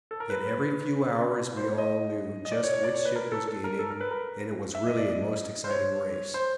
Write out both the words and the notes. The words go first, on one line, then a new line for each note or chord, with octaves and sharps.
Yet every few hours we all knew just which ship was gaining and it was really a most exciting race.
A4
A#4
B4
C5
C#5
D#5
D#5
D5
C#5
C#5
D5
C#5
B4
A#4
A4
A4
A#4
A4
A#4
B4
A#4
E5
D#5
D5
D#5
C5
C#5
C5